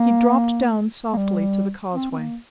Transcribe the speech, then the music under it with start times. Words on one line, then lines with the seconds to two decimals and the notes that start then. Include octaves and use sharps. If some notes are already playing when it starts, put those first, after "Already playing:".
He dropped down softly to the causeway.
Already playing: A#3
1.13 A#3
1.17 G3
1.94 C4
2.11 C4
2.18 A#3